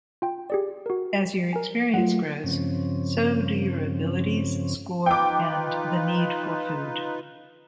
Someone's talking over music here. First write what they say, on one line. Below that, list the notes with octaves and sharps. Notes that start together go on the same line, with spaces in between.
As your experience grows, so do your abilities, score and the need for food.
F4 G5
G4 G#4 D5
F#4 A#4
A#4 G#5
F#3 A3 F4 F#5
G2 C#3 F3 C4 C#4
D#4 F4 B4 G5 D6